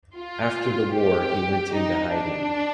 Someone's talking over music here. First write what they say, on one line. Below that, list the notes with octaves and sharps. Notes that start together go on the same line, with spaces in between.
After the war he went into hiding.
F4
G4
D#4
D4